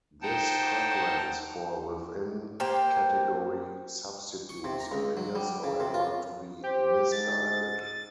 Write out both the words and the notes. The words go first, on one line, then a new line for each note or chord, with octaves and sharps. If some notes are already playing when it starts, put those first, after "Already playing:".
This preference for within-category substitutes appears, however, to be misguided.
D#4 C5 F#5 G5 A5
A#3 G4 C5 G5
C#6
C3
A#5
C#2
F#3
G3
C#3
C3
F4
G4 C5
G#2 A6